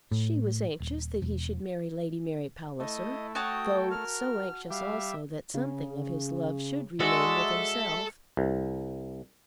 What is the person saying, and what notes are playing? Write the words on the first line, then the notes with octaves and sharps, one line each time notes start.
She was anxious that he should marry Lady Mary Palliser, though so anxious also that something of his love should remain with herself!
A2
D#1
E1
A3 E4 D#5
F#4 C#5 G5 A5 D#6
A#4 F6
G3 E5 F5
C#3
G#3 F#4 A4 D5 E5
C2